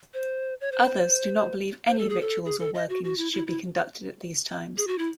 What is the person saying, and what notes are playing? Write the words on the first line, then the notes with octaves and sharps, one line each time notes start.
Others do not believe any rituals or workings should be conducted at these times.
C5
C#5
C5
C5
A4
G#4
A4
G#4
A4
D#5
F#4
F#4
E4
E4
E4
G#4
F#4
E4